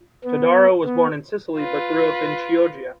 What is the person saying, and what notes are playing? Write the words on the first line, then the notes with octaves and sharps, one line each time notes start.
Todaro was born in Sicily but grew up in Chioggia.
B3
B3
F4 B4